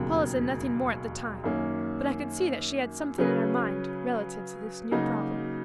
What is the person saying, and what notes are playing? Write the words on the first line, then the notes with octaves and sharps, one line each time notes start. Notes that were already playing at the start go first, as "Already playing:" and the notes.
Paula said nothing more at the time, but I could see that she had something in her mind relative to this new problem.
Already playing: E1 D#2 C#3 F#3
F#2 D#3 A#3 C#4
C#3 F#3 C#4 G#4 B4
C#3 F#3 A#3 D#4 F#4